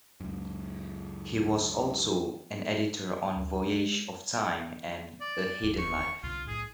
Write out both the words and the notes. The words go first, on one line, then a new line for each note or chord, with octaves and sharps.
He was also an editor on "Voyage of Time" and "A Hidden Life".
C#2 F#2
D2
G#3
D5
E1 D#2
C#6
C2 B2 D3 F4
B1 A2 G#4